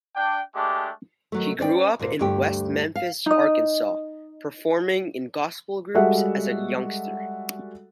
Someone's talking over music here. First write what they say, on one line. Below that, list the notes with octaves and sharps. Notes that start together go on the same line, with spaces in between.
He grew up in West Memphis, Arkansas, performing in gospel groups as a youngster.
D4 G5
G#3 A3 D4 G4
D#3 F#3 A3
C#4 C5 D5 G5
D2 A#2 A#3 C5
D2 G2 A3 G4 G5
F5
D#4 D#5
G3 G#3 F#4 A4 E5 F#5